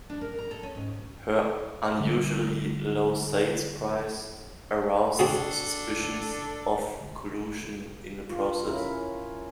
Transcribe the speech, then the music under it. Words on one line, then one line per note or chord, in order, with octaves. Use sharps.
Her unusually low sales price aroused suspicions of collusion in the process.
D4
A#4
A#5
A4
C#4
G#2
D3 G3
C4 D4 F#4 G#4 A4
F4
C#4 E4 A#4